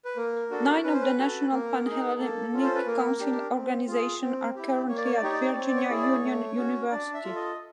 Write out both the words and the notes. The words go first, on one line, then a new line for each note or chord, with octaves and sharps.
Nine of the National Pan-Hellenic Council organizations are currently at Virginia Union University.
B4
A#3 A#4
D4 F#4 A4
C#4 B4
C5
B4
F#4 A4
A#3 A#4
D#4 G#4
A#3 A4
C#4 F4
C5
B4
A#3 A#4
D4 G4
C4
F4 G#4
C4
E4 G4
A#3 C#5
D5
C#5
D5
D#4 G4 C#5
D5
C#5
D5
C4 C#5
D5
C#5
D5
E4 G#4 C#5
D5
C#5
A3
C#4 F#4
D4 D5
E5
F4 A4
D#5